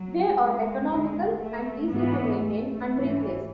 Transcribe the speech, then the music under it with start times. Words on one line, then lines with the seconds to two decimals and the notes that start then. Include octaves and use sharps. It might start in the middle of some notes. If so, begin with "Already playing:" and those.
They are economical, and easy to maintain and replace.
Already playing: F#3
0.35 G#3
0.86 E2 D3
1.38 A3
1.91 G#2 E3 B3
2.43 A3
2.95 G#2 E3